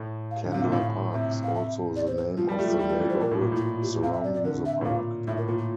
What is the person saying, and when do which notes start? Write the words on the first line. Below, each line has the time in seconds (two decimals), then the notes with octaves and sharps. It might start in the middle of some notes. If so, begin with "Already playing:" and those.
Candler Park is also the name of the neighborhood surrounding the park.
Already playing: A2
0.31 F5
0.46 D3
0.52 C3 F5
0.63 A#2
0.71 A2 F5
1.13 C3 E5
1.44 F5
1.55 E5
1.96 D5
2.07 C5
2.18 C5
2.37 F3 F4
2.48 G3 F4
2.59 A3 G4
2.68 G3 F4
2.79 G3 F4
2.89 F3 G4
3.00 E3
3.10 C5
3.21 A#2 A#4
3.31 A2
3.42 A#2
3.52 A2 E4
3.62 F4
3.82 G4
4.03 C3 F5
4.13 E5
4.24 D5
4.34 D5
4.44 D3 A#4
4.66 E5
4.81 A2
4.85 A#2 F5
5.27 A2 E5
5.37 A#4
5.48 A#2 F4
5.58 F4